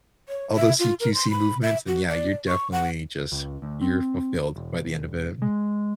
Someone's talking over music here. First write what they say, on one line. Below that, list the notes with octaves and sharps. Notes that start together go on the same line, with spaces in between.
all those CQC movements, then yeah, you're definitely just you're fulfilled by the end of it.
C#5
E5
F4
A#4
C6
B5
E5
F#4
D5
C#6
F#5
C#2
D2
C4
E1
G#3